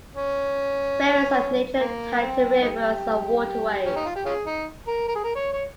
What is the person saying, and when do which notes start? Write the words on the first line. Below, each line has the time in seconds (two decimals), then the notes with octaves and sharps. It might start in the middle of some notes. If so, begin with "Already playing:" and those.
Spirits of nature tied to rivers and waterways.
0.15 C#4
1.80 A#3
2.20 C4
2.62 A#3 D#4 G4
3.85 C#4
3.96 D#4
4.05 F4
4.15 G4
4.25 C#4 F4 G#4
4.46 D#4
4.87 A#4
5.08 A#4
5.15 G#4
5.24 A#4
5.35 C#5
5.53 C#5